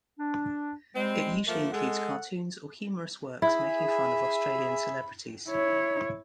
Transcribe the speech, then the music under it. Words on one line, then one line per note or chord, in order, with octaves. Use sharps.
It usually includes cartoons or humorous works making fun of Australian celebrities.
D4
G3 G#3 C4
F3 A3 A#3
G#3 A4 F#5
E4 G#4 E5 B5
E4 C#5